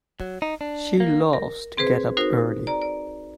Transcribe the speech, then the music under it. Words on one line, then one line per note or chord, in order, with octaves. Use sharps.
She loves to get up early.
F#3
D#4
D4
A#3
A#4
C4 G#4 B4 C5
D#4 F#4 A#4 C5
D5 A#5
D5